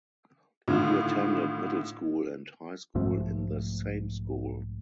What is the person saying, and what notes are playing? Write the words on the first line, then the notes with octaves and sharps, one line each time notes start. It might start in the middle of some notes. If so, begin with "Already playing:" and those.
He attended middle school and high school in the same school.
A2 D3 D#3 F4
B1 G#2 F3 A3